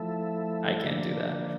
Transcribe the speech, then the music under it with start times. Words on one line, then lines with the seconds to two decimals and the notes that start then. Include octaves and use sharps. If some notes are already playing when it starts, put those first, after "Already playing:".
I can't do that.
Already playing: F3 A3 E4 A4
0.85 D3 F3 A#3 D4